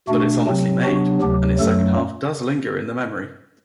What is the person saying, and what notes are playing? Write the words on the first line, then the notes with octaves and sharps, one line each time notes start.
But it's honestly made, and its second half does linger in the memory.
B2 A3 D4 F#4
C3 F#3 C4
C3 F#3 B3 D4 F#4
D2 C3 F#3 G4
F#2 F#3 A3 A4